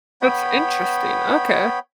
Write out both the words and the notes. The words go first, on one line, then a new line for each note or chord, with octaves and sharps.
That's interesting, okay.
B3 C#5 G5 B5